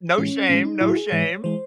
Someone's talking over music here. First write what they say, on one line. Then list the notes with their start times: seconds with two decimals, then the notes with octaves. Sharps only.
No shame, no shame.
0.18 A2 E3 G#3 C#4
0.49 A2 E3 G#3 C#4
0.65 D#4
0.81 A2 F#3 E4
0.89 F#4
0.96 G#4
1.12 G#2 E3 G#3 C#5
1.44 E3 G#3 C5